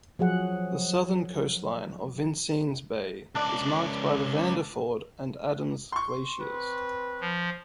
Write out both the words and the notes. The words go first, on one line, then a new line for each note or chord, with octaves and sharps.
The southern coastline of Vincennes Bay is marked by the Vanderford and Adams Glaciers.
F3 F#3 G#4 F#5
C#2 D4 D5
C6 C#6
C4 B4
F3